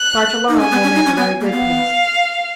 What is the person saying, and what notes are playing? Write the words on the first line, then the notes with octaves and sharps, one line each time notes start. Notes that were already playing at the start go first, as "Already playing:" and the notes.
Starch alone will make a very good paste.
Already playing: F#6
D#4
C#4 G#5
B3
C#4
D#4
C#4
B3
A#3
B3 F5